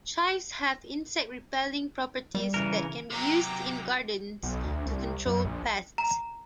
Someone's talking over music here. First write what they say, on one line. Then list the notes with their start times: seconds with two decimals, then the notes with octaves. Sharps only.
Chives have insect-repelling properties that can be used in gardens to control pests.
2.35 G3
2.54 C#3 E3 A#4
3.10 C3 F#3 G5 A#5 D6
4.43 B1
4.64 D2
4.86 C2
5.26 F#2
5.45 A#1
5.98 A#5